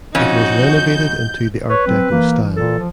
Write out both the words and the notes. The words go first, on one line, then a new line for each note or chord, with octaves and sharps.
It was renovated into the Art Deco style.
F2 C#4 D#4 F#4 G6
B4 C#5
F#3 C4
E3 A#3
A#2 A4
F3